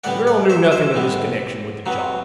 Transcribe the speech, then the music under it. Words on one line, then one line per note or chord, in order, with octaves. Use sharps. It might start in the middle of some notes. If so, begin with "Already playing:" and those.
The girl knew nothing of his connection with the job.
A2 G3 B3 D5 F#5
D5 F#5
C5 E5
C5 E5
A2 G3 B3
C3 F#3 B3